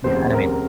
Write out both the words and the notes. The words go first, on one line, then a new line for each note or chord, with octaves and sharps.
Yeah, I don't mean
F1 D#2 C#3 C5
A#4